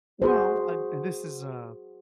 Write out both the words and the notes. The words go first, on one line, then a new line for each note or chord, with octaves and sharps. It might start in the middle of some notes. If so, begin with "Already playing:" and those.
Well, I and this is a
F#4 G#4 C5